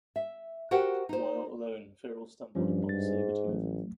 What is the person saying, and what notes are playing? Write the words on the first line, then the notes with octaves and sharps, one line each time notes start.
While alone, Feral stumbled upon Sabretooth.
E5
F#4 G4 A#4 C5 F#5 G5
D#4 C5
G2 F3 C#4
G#2 A6
A1 F#3 A3